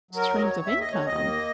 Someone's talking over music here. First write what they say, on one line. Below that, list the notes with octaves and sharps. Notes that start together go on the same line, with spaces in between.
streams of income,
F#3
A#4
D#2
D#5
C#5
D#2
D#2 E5
D#5
D#2
C#5
D#2 D#5
A#3